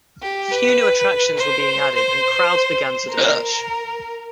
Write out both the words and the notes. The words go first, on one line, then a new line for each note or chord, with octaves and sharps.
Few new attractions were being added, and crowds began to diminish.
G4
B4
C5
C5
A#4